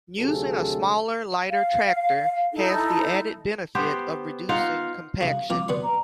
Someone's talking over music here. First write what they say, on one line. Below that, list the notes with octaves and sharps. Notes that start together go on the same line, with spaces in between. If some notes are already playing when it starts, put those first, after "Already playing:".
Using a smaller, lighter tractor has the added benefit of reducing compaction.
D2 C3 F#3 G#4 A4
F5
D#4 E4 A4
B3 G4 C5
D#4 F4 F5 F#5
C#3 F#4 F5
F3 C4 F4 D6
B3 F#4 D5 C6
A#5